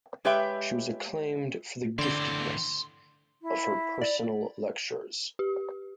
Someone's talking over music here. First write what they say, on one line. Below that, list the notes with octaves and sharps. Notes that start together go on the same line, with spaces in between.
She was acclaimed for the giftedness of her personal lectures.
G#3 G4 B4 C#5 E5 G5
A2 D3 E3 C4 D5 C6 G7
E4
D5
G4